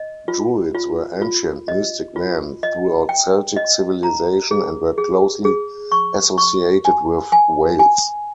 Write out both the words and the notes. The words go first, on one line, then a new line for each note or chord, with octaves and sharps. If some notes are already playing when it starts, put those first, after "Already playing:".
Druids were ancient mystic men throughout Celtic civilisation and were closely associated with Wales.
Already playing: D#5
F4
F4
F4
D#5
F4
D#5
G5
D#5
A#5
G#4
G#4
G#4
C#6
C#6
G#5
G#5
G#5